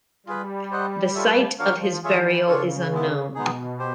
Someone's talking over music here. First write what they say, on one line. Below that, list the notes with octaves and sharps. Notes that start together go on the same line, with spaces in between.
The site of his burial is unknown.
G3 F4 G#4 B4
G4 C5 D#5 F#5
F4 A4 C#5 E5
F3 D4 F#4 A#4 C#5 F5
E3 F4 G#4 C#5 E5
C#3 D4 F4 A4 C#5
G#3 B3 E4
B2 G#3 B3 D#4 G#4
G4 C5